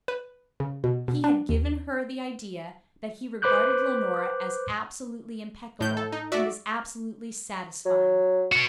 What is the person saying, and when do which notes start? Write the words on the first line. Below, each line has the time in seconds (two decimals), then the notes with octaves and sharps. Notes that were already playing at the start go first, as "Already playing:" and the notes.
He had given her the idea that he regarded Leonora as absolutely impeccable and as absolutely satisfying.
0.08 B4
0.60 C#3
0.84 B2
1.08 B2
1.24 D4
1.49 D#2
3.42 B4 C5 B5 D6 F#6 G6
5.80 A2 G6
5.97 A4
6.12 D#4
6.32 F#4 D5 E5
7.85 F#3
8.52 B3 F#4